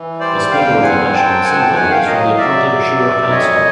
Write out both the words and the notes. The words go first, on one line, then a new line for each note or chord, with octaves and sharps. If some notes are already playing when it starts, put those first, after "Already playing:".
The speaker of the National Assembly is from the appointed Shura Council.
Already playing: E3
G3 C5 D5
E2 F5 G5
C4 F#5 G#5
C4 G5 A5
F#2 F#5 G#5
G5 A5
D#3 F#5 G#5
F5 G5
F#3 D#5 F5
F#3 D5 E5
F#2
F#2
F2 C#5 D#5